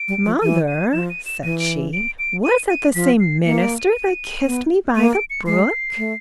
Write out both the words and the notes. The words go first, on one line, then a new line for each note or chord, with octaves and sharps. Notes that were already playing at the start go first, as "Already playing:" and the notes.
"Mother," said she, "was that the same minister that kissed me by the brook?"
Already playing: D7
G3
F3
E3 D#7
D#7
F3 E7
D#7
E7
E3 D#7
D7
D7
D7
D#7
D#7
F3 B6
C7
A#3 C#7
D7
D#7
B3
A#3 D#7
D7
C#7
G#3 C7
A3